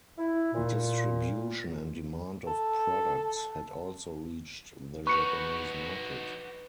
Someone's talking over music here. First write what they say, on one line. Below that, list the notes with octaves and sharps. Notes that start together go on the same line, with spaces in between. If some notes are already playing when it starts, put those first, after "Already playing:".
Distribution and demand of products had also reached the Japanese market.
E4
A#2
A4
D#4 F#4 B4 C#6 C#7